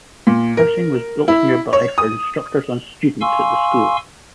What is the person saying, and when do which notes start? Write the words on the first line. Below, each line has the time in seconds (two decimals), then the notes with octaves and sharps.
Housing was built nearby for instructors and students at the school.
0.27 A#2
0.57 A#4
1.28 E4
1.73 C#5
1.98 D#6
3.21 F5 G#5 C6 C#6 E6